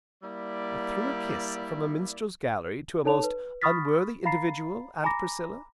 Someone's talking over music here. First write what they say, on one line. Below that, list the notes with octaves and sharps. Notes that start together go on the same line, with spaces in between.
"Threw a kiss--from a minstrel's gallery, to a most unworthy individual, Aunt Priscilla?"
G3 A#3 E4 D5
D#4 A4 C#5 A5 F7
B4
B5 C#6 D#6 F6 A6 B6
F5 A#5 B5 A6 C7
G#5 A#5 B5 D6 A#6